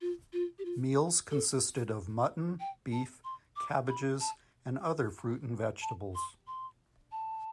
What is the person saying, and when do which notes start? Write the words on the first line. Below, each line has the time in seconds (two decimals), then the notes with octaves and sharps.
Meals consisted of mutton, beef, cabbages, and other fruit and vegetables.
0.01 F4
0.33 F4
0.58 G4
0.65 F4
1.31 A4
2.60 G5
2.92 A5
3.24 C6
3.56 D6
3.89 B5
4.20 A5
5.82 A5
6.15 C6
6.47 C6
7.12 A5